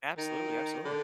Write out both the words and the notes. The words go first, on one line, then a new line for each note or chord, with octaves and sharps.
Absolutely, absolutely.
D#3
D3